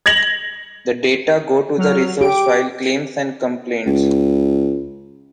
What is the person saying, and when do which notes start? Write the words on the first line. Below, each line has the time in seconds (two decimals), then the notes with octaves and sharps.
The data go to resource files, claims and complaints.
0.06 G#6 A#6 F7 F#7
1.78 F#3 F6
2.21 G4 D7
3.86 C#2